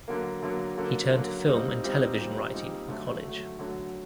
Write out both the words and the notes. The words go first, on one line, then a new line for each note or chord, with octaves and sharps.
He turned to film and television writing in college.
D3 F#3 A#3
D3 F#3 A#3
D3 F#3 A#3
D3 F#3 A#3
A#2 G3 C4 D#4
A#2 G3 C4 D#4
A#2 G3 C4 D#4
A#2 G3 C4 D#4
D3 F#3 A3
D3 F#3 A3
D3 F#3 A3